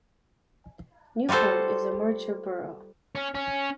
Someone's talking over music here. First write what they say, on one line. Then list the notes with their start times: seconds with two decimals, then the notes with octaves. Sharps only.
Newport is a marcher borough.
1.29 G3 F4 F#4 A4 C5
3.15 C#4
3.35 C#4